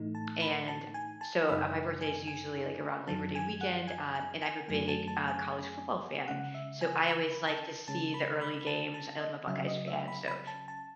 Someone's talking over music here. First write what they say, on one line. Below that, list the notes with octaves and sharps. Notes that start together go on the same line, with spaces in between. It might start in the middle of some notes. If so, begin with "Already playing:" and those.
And so uh, my birthday is usually, like, around Labor Day weekend, um, and I'm a big, uh, college football fan, so, I always like to see the early games, I'm a Buckeyes fan, so,
Already playing: A2 E3 A3 D#4
A5
B5
A5
G#5
A5
F#2 C#3 G#3 D#4 B5
G#5
G#5
F#2 D#3 F#3 A5
G#5
F#5
G#5
G#5
G#5
F#2 D#3 F#3 A3 G#5
A5
A5
G#5
C#3 G#3 C#4 F#5
E5
G#5
B5
A5
C#3 G#3 C#4 A5
B5
B5
A5
A5
D#5
C#3 F#3 C#4 E5
D#5
E5
B5
B5
A5
A5